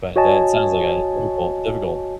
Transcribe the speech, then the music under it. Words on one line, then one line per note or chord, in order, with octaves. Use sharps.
but that sounds like a difficult, difficult
F#4 C#5 D#5 G#5 A5